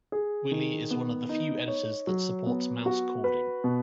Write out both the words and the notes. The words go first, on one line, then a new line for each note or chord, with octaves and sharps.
Wily is one of the few editors that supports mouse chording.
G#4
D#3
B3
D#4
C#5
F#3
B3
F#4
B4
B2